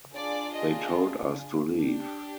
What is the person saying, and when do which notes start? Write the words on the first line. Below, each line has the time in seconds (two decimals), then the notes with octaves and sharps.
They told us to leave.
0.15 D4 F4 G#4 D5
0.54 D#5
1.74 D4 G4